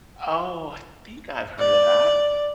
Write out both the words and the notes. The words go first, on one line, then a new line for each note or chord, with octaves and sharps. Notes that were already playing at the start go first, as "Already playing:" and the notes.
Oh, I think I've heard of that.
D5